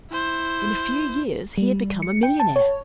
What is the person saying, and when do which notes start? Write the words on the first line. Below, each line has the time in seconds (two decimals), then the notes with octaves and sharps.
In a few years, he had become a millionaire.
0.10 E4 C5
1.58 G3
2.02 C#7
2.23 G5
2.40 A5
2.56 C#5